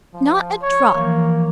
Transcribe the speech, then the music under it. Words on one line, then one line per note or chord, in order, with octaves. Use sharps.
'Not a drop.
F3
C#5
E3 F3 A#3